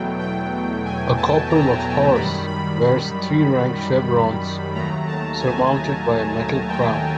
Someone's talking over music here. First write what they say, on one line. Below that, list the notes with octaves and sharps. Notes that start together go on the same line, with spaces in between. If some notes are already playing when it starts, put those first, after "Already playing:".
A corporal of horse wears three rank chevrons surmounted by a metal crown.
Already playing: E2 B2 F#3 A3 G5
G5
G#5
A5
A#5
F#2 D#3 G3 B5
B5
B5
D#2 D#3 F#3 A3 A#5
A5
G#5
G5